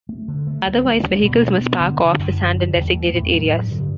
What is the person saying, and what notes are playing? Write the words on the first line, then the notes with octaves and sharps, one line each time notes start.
Otherwise, vehicles must park off the sand in designated areas.
A3
D3
A3
D2
G3
D2
B2
D4
B3
D3
D3
F#2
D3
G3
E2
A3
A2
F#3
G2
D3